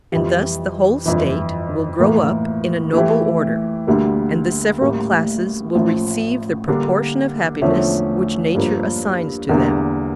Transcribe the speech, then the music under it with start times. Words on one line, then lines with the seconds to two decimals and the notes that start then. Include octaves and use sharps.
And thus the whole State will grow up in a noble order, and the several classes will receive the proportion of happiness which nature assigns to them.
0.12 F2 E3 G3
1.06 G1 F2 E3
2.00 A2 E3 A#3
2.93 E3 A3 E4 G4
3.87 D2 D3 G3 A#3
4.81 A1 A2 G3 A#3
5.75 A1 A2 F3
6.68 D3 G3 A#3 D4
7.62 E2 D3 F3 A3 C#4
8.55 G2 F3 A#3
9.49 E2 D3 G3 A#3 D4